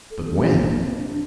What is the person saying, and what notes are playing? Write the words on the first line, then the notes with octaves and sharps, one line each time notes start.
"But when?"
A4
G4
A#3
C4
D4